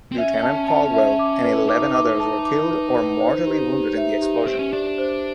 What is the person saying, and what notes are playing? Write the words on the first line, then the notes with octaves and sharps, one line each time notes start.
Lieutenant Caldwell and eleven others were killed or mortally wounded in the explosion.
C4
C#4 E5
A5
A5
E5
D6
B4
D#4 D6
D6
A5
D6
B4
B4
C5
G4
G4
E5
G4
C4 G4
C#4
D4 G4
C5